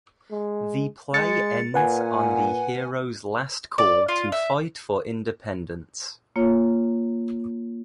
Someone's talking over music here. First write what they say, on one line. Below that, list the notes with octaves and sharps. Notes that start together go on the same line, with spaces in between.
The play ends on the hero's last call to fight for independence.
G#3
G#3 A6 C#7
A#2 B4 F#5 G#5
D5
F4
E5
A#3 F4 C#5